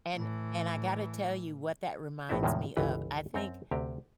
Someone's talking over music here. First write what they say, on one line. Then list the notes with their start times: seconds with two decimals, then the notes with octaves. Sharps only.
And and I gotta tell you, what that reminds me of, I think
0.14 A2 E3
2.29 A#1 A2 B3 C4 E4 E5
2.43 E2 A2 C3 D#3 F3 G#3
2.77 G1 C#2 E3 B4
3.34 F#2 C4 A#5
3.71 D2 C3 G4